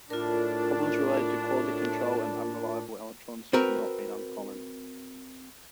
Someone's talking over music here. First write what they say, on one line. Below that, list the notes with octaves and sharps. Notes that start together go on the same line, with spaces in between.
Problems related to quality control and unreliable electronics have not been uncommon.
A2 D4 F4 A#4
C4 F#4 A#4 B4